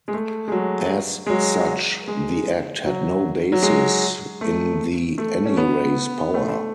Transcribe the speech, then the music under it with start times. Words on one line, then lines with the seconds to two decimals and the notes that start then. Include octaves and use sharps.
As such, the Act had no basis in the 'any race' power.
0.08 G#3
0.14 A3
0.48 G#3
0.52 F#3
1.26 G#3
1.30 F#3
2.08 G#3
2.86 F#3
3.52 F#3
3.62 G#3
4.41 A3
5.18 A3
5.46 C#4
5.57 B3
6.34 A3